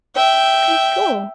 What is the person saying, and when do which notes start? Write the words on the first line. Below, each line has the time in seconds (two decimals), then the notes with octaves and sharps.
Okay, cool.
0.15 E5 G5